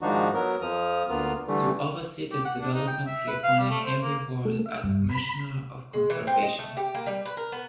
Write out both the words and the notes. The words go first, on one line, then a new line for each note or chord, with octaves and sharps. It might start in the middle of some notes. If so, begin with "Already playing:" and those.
To oversee the developments, he appointed Henry Ward as commissioner of conservation.
G#2 D#3 F3 D4 D#4 F#4
F#3 B3 A#4
F2 F3 D#6 F6
D2 A#3 B3 F4 F6
D3 E3 G3 A3
G4
F#5
D4
D#4
G5
E5
B4
F5
G3
A3
C5
A#3
A3
E5
G2
B5
G#3
E3
C4
D#5
A3
G4
A#3
G3
B4
A#4
B3